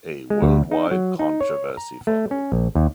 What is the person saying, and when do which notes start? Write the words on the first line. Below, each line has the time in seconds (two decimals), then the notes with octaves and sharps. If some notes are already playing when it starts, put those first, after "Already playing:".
A worldwide controversy followed.
0.30 G#3
0.42 D2
0.71 D#4
0.91 F#3
1.19 D#4
1.41 C#5
1.77 A#5
2.07 A3
2.31 C#4
2.52 A#1
2.75 D#2